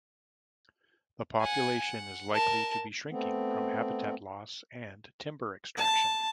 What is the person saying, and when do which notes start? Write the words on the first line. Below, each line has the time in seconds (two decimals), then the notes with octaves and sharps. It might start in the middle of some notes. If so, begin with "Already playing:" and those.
The population is likely to be shrinking from habitat loss and timber extraction.
1.40 F#5 G#5
1.81 F#5
2.33 A#4 A5
3.09 A3 B3 C4
5.77 A5